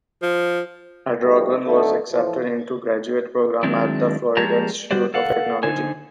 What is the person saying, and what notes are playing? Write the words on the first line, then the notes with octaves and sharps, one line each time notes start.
Adragon was accepted into a graduate program at the Florida Institute of Technology.
F3
F3 G3 A3 D#4
F2 D3 A3 D#4
A2 E3 F3
D#3 F#3 G#3 C4 D4 E4
F3 G#3 G4 C#5 A5 A#5
G3 F#4 G4 C5 D5
A4 F5 F#5
D3 D#4 C5 G#5